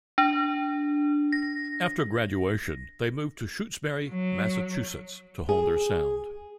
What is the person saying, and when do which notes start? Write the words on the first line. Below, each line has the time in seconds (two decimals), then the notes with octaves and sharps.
After graduation, they moved to Shutesbury, Massachusetts to hone their sound.
0.18 D4
1.32 A#6
4.09 F#3
5.49 G#4